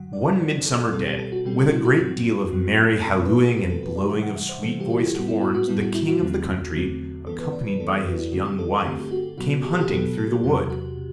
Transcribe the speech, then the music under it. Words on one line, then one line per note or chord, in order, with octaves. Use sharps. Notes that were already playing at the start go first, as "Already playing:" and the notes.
One midsummer day, with a great deal of merry hallooing and blowing of sweet-voiced horns, the King of the country, accompanied by his young wife, came hunting through the wood.
Already playing: G2 D3 F#3 F#5
D5
G2 D3 F#3 C5
A4
B2 G3 C4 A4
G4
A4
F#4
B2 G3 C4 G4
F#4
E4
F#4
G2 F#3 C4
G2 F#3 C4
B2 A3 C4
B4
A4
G4
B2 A3 C4 F#4
A4
B4
D5
C3 E3 G3 E5
F#5
E5
C5
C3 E3 G3 A4
G4
F#4
E4
G4
A2 G3 B3 F#4
E4
F#4
F#4
A2 G3 B3 E4
F#4
E4
F#4
E2 D3 F#3 A3 C4
E2 D3 F#3 A3 C4
G2 E3 B3 A4
B4
D5
B4
G2 E3 B3 A4
G4
F#4
E4
G2 D3 A3 C4 F#4
G4
A4
G2 D3 A3 C4 G4
G4
F#4
B2 F#3 B3 F#4
G4
A4
G4
B2 F#3 B3 A4
A4
E2 C3 F#3 G4
F#4
C3